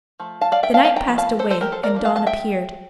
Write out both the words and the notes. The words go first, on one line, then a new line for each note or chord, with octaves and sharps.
The night passed away, and dawn appeared.
F3 A3
F5 A5
D5 F5
E5 G5
F5 A5
F5 A5
G5 A#5
F3 A3
F5 A5
A4 C5
A4 C5
G4 A#4
A4 C5
A#4 D5
F3 A#3 D4
F5 A5
F5 A5
E5 G5